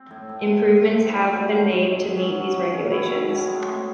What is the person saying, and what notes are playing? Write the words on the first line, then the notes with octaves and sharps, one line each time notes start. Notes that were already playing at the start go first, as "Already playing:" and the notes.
Improvements have been made to meet these regulations.
Already playing: C4
A2
A2
A2
A2
A2
G#2 C4
F#3
A3
F#3
G#2
G#2
D#3
F#3 C#4
F#3
D#3
F#3 C#4
D#3 E4
D#3 E4
A2 C#4
G#3
G#3